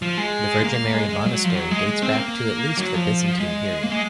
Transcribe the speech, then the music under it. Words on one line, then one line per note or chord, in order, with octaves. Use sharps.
The Virgin Mary Monastery dates back to at least the Byzantine period.
F3
G#3
A#3
G#3
G#3
F#3
F3
F#3
G#3
G#3
C4
A#3
F#3
F3
G#3
A#3
G#3